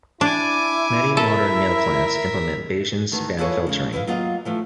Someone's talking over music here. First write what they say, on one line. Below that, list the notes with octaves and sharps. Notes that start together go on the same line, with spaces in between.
Many modern mail clients implement Bayesian spam filtering.
D4 E4 G#5 D6
A4 A#4 E5
D2 D#3 E3
E4 F4 G#4 A4 B4 C#5
C#3 G#3
E4 B4 D#5 F5
F#3 A#3 F4 G#4 D#5 F5
E3 F3 A3